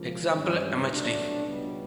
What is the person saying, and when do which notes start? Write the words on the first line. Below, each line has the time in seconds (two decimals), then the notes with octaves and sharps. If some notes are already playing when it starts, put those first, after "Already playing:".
Example mhd.
Already playing: C#2 C#3 F3 A#3
0.33 G2 E3 G#3 C#4
0.89 C2 B2 F#3 A3 D4
1.46 C#2 B2 G3 B3